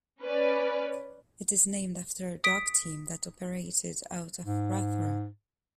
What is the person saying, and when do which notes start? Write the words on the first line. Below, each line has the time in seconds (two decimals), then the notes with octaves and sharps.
It is named after a dog team that operated out of Rothera.
0.21 C#4 B4 D5
2.44 D#6 B6 D7
4.45 G#2